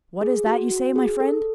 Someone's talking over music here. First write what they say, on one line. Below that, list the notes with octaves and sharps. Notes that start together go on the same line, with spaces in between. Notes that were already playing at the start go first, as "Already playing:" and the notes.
"What is that you say, my friend?"
G#4
F#4
F#4
G#4
A4